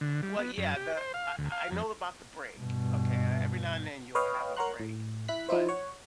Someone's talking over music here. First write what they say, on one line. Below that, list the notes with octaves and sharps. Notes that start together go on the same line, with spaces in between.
Well, yeah, the I I I know about the break, okay? Uh, every now and then, you'll have a break. But
D3
G3
B3
F#2
G4
C5
F5
D2
F5
F2
G2 B2
B4 C#5 D#5 F5 G5
A#4 C#5 F#5 A#5 C6 F#6
A2
E4 F#6 B6
F3 D#4 E4 C5
C#5 F#5